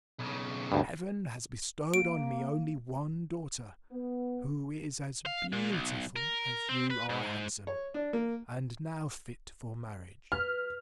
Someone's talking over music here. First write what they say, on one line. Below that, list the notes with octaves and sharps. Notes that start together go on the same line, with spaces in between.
Heaven has bestowed on me only one daughter, who is as beautiful as you are handsome, and now fit for marriage.
B1 C#3
D2 G2
A#3 D7
B3
F5
A#2
B1
A#4
C4
B4
G#2
C#5
D4
A#3
B4 F6